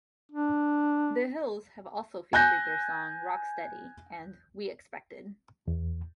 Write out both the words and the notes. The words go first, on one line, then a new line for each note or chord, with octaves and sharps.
"The Hills" have also featured their song "Rocksteady" and "We Expected".
D4
G#5 F#6 G6 A#6
E2